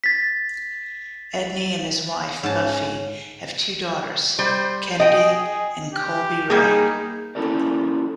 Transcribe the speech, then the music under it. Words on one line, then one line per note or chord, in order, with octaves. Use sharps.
Edney and his wife, Buffy, have two daughters, Kennedi and Kolbe-Rae.
A6 B6
G#2 C#4 A5
G3 C5
G#4 D#5 G5
G4
G3 A#3 D#4 G#4
A#3 C#4 E4 A4 A#4 D5